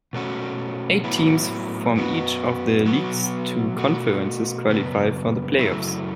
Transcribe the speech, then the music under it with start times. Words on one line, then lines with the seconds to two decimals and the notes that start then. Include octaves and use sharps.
Eight teams from each of the league's two conferences qualify for the playoffs.
0.13 B2 A3 C#4 F#4
1.04 A2 F#3 B3 E4
1.95 F#2 F#3 B3 F#4
2.86 B2 F#3 B3 F#4
3.76 B2 A3 F#4
4.68 F#2 C#3 B3
5.58 F#2 C#3 F#3 A3 E4